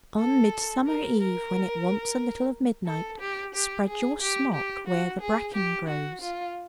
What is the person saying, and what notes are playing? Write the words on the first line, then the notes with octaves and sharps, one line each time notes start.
'On Midsummer Eve, when it wants a little of midnight, spread your smock where the bracken grows.
A4
A#4
A#4
A4
G4
G4
G#4
G4
G4
F#4
G#4
G4
F#4
F4